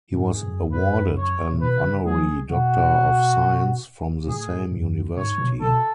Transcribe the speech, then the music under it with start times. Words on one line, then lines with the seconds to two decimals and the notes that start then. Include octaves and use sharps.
He was awarded an honorary Doctor of Science from the same university.
0.13 G#2
0.27 G#4
0.43 F#2
0.72 F#2 B4
1.17 C#5
1.52 A2
1.61 B2 B4
1.78 D3
1.83 C#3
2.06 F3 G#4
2.50 B2 F#4
4.27 A2 G#4
4.71 F#2
5.16 G#2 C#5
5.38 B2
5.61 B2 A4